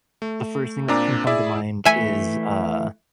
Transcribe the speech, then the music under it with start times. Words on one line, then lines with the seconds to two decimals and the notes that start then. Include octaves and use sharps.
the first thing that can come to mind is, uh,
0.22 A3
0.88 A#2 C4 D4 A#5 D6
1.27 E4 G#4 D5 E5
1.85 E3 A3 E5 G#5 B5